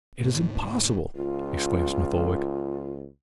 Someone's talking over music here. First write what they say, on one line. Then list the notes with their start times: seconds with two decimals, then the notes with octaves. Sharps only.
"It is impossible!" exclaimed Smith-Oldwick.
0.23 D2 G#2 B2 A#3
1.16 C#2 F4